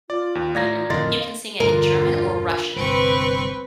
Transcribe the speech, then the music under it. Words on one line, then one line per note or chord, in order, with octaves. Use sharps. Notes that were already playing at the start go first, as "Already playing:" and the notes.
Mm-mm, you can sing it in German or Russian,
F4 D5
D#2
A2 D5 F5 A#5 G#6 A#6
F2 A2 D3 A#4 D#5 F5 C6 A6
E1 G2 D3 F4 A#4
G1 C2 C4 B4 C#6